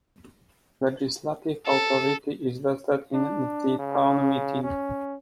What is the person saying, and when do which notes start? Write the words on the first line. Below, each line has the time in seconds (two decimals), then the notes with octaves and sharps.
Legislative authority is vested in the Town Meeting.
1.66 A4
3.14 D4
3.78 C#3
4.63 C#4